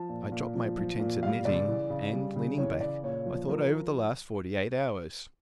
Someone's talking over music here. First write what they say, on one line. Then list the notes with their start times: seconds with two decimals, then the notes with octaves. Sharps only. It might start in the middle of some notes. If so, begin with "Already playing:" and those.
I dropped my pretense at knitting and, leaning back, I thought over the last forty-eight hours.
Already playing: F3 A5
0.09 A#2
0.32 A#2
0.55 F3
0.78 F3
1.00 A#2
1.23 G3 F5
1.45 C#3 D5
1.68 E3
1.90 C#3
2.12 G3
2.36 C#3
2.58 E3 C#5
2.81 C#3 D5
3.03 A#2 C#5
3.26 F3
3.48 F3 A#4